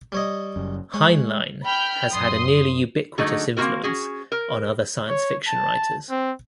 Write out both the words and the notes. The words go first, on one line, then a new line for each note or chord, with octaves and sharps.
Heinlein has had a nearly ubiquitous influence on other science fiction writers.
G3 C#5 D#5
F#1 F#2
G#3 C#5 G#5
G5 B5 F6 G6
F#2 C6 D#6
D3 F#3 G#3 A3 D#4
A#3 C4 C#4 E4 F#4 A#4
C#4 F#4 G#4
A#4
C#5
A5
C4